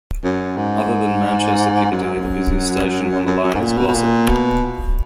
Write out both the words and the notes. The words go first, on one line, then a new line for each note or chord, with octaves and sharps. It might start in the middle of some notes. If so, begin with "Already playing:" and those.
Other than Manchester Piccadilly, the busiest station on the line is Glossop.
F#2
G#2
F#2
F#2
F#2
G#2
A#2
B2
B2
A#2
B2